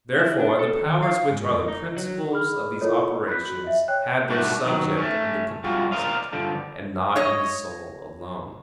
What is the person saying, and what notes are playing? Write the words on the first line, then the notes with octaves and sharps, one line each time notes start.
Therefore the powers which are the principles of these operations have their subject in the composite, and not in the soul alone.
E4
D4
A4
D#3
F5
G#2
F2
D#4
F#3
G#4 B5 F6
E4 F4 A4 A#4 C#5 D#5
B5 F#6 G6 B6
F#4 F#7
D#5 E5
C#5 G5 F#6
G#2 B2 G3 A3 D4 F#4
D#3 F#3
A3 C#4
G3 G#3 F4 F#4
A#4 C5 D5 D#5 F5
G2 D3 F3
C#5 D#5